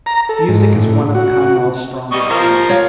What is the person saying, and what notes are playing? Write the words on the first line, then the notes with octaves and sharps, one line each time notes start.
Music is one of Conwell's strongest aids.
A#5
A4
G#2
A2
F#4
G3 D#5 C#6
F3 A#4 C5
C#5 F5